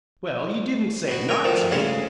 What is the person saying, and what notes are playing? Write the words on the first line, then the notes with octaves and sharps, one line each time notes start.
"Well, you didn't say not to."
B2 F#4
A#4 C#5 G5 G#5
D2 D#3 F3
D2 C#3 G#3 C#4 F#5 C6